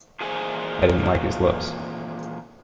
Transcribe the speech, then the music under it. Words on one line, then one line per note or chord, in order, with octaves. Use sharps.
I didn't like his looks.
A#2 D#3 E3 G#4 C5 G#5